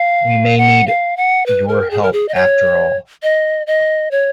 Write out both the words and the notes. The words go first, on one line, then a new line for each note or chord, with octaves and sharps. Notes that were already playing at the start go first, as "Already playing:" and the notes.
We may need your help after all.
Already playing: F5
F#5
F5
F#5
B4
A#4
G#4
A#4
G#4
D#5
C#5
D#5
D#5
C#5